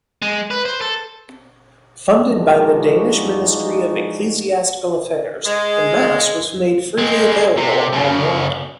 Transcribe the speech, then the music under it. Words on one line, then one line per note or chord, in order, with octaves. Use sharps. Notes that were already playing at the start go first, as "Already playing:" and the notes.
Funded by the Danish Ministry Ecclesiastical Affairs, the Mass was made freely available online.
G#3
B4
C5
A4
E3 F3 G#3 D4 D#4 F#4
G#3
G#3 C4
C3
F#2 C#3